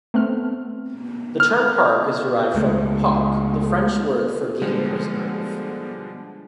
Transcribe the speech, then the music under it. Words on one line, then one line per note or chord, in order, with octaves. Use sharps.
The term park is derived from "parc", the French word for game preserve.
A3 B3 C4 F6
F6
C#2 G#3 A3
B2 D3 F3 G3 G#3